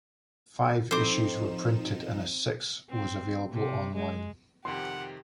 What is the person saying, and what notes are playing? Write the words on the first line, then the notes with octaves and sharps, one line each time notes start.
Five issues were printed, and a sixth was available online.
F3 C4 D#4 A4 C5 B5 D6 E7
C4
C3
G#3
F2 C3 D#3 G4 F#5 C6